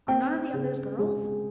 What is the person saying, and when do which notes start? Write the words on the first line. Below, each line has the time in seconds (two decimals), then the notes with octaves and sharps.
"Are none of the others girls?"
0.08 C4 G5
0.53 C#3
0.98 G#3